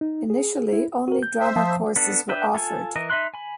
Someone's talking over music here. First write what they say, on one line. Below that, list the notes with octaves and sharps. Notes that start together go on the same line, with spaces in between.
Initially only drama courses were offered.
D#4
G#4
E4
F#4 A#4
G6
C5 E5
F3 F5 A5 D#6
B3 D4 A4
D4 B4 E5 G5
F4 A4 G#5
E3 A#4 D#5
D#4 E5 B5 C6 F#6
G#5 B5